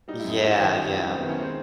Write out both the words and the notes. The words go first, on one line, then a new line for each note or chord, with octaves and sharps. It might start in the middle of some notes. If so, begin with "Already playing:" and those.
Yeah, yeah.
G3 D#4
F#2 E4
D#4
F#2 E4
D#4
D#3
G3 F4
F#2
E4
F#2
C4
B3
D#3
C#4
G#3 C4